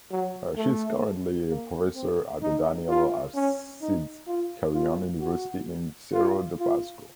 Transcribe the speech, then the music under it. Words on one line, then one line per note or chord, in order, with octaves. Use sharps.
She is currently a professor at the Daniel Alcides Carrión University in Cerro de Pasco.
F#3
A3
A#3
C4
D#4
F4
C#4
D#4
F4
F4
F#4
F4
F4